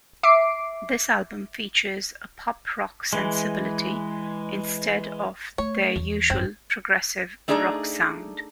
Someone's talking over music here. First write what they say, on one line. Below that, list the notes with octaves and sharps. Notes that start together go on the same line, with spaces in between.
This album features a pop rock sensibility, instead of their usual progressive rock sound.
E5 D6 C7 D7
E3 G#3
A3 C#5
E2
G#1 F#2 C4
A3 D4 D#4 G#4 D5 A#5